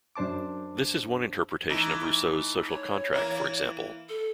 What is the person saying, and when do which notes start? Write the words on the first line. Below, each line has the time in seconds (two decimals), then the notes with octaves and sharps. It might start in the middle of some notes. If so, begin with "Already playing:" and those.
This is one interpretation of Rousseau's "Social Contract", for example.
0.16 F#2 D4 C5 A5 D6
1.69 E3 A3 D#4
2.69 C#5
3.13 E3 A#3 E4
4.09 A4